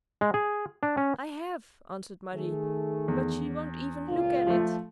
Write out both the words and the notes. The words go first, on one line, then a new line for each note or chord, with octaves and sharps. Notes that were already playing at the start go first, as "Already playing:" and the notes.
"I have," answered Marie, "but she won't even look at it."
G#3
G#4
D4
C#4
D#3 A3 G#4
E2
C#2 A#2 F4
F3 A3